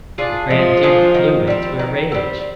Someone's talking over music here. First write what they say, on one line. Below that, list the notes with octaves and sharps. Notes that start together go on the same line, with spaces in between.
The grand duke flew into a rage.
D4 F4 G#4
F3 G#3
D4 F4 G#4
D#3
G3 C4
D#3
G3 C4